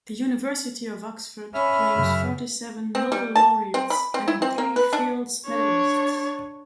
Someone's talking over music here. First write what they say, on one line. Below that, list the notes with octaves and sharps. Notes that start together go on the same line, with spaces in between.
The University of Oxford claims forty-seven Nobel Laureates and three Fields Medallists.
C#4 E5 B5 F6
F#2 C#3
C4
G3
A5
C4
B5
C4
E4
C4
A#3
B4
D4
D4 C#5